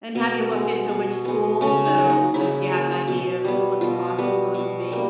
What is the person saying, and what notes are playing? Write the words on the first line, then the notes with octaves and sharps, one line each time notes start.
And have you looked into which schools? So, s uh, do you have an idea of th what the cost is going to be?
B2 B3
G#3 B3
B2
G#3 B3
C#3 C#4
D#4
F#3 A#3
D#4
C#3 E4
F#3 A#3
B2
G3 B3
B2 F4
G3 B3
B2
G3 A#3